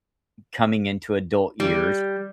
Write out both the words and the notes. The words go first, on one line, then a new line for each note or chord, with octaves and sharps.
coming-into-adult years,
G3